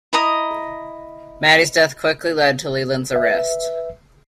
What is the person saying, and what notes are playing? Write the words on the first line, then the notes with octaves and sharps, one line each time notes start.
Maddy's death quickly leads to Leland's arrest.
E4 D#5 A#5 D#6
B4 E5